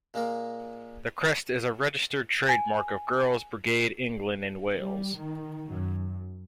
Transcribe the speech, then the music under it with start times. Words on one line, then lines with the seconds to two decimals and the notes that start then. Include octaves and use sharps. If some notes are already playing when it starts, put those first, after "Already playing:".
The crest is a registered trade mark of Girls' Brigade England and Wales.
0.14 A#2 G#3 A#3 A#4
2.49 G#5
4.76 G3
5.16 D#3
5.69 F#2